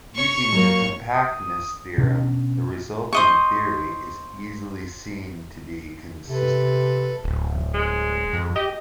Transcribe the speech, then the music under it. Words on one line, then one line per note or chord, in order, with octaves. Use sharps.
Using the compactness theorem, the resulting theory is easily seen to be consistent.
C#5 C#6
F#3 A3 A#3
D#6
B2 C#4 D4
C5 D#5 C#6
C3 A4 B4
D1
G#3
F2
G4 D#5